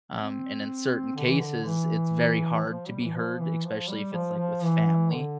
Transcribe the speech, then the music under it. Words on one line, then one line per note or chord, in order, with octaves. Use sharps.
um, and in certain cases, it's very hard to be heard, especially if it's, like, with family,
C4
D3
E3
D3
E3
F3
G3
E3
F3
E3
F3
G3
F3
F3
E3
D3